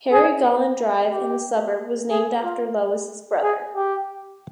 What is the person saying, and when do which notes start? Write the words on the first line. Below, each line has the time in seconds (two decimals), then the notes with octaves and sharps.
Harry Galaun Drive in the suburb was named after Louis' brother.
0.12 G#4
1.11 G4
2.10 G#4
2.43 F4
3.42 G#4
3.75 G4